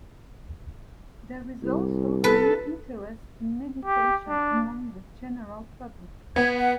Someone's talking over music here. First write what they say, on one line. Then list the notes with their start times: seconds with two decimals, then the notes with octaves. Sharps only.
There is also a new interest in meditation among the general public.
1.63 C2
2.24 A4 B4
3.85 G4
4.29 D4
6.36 B3 G#6
6.57 F#5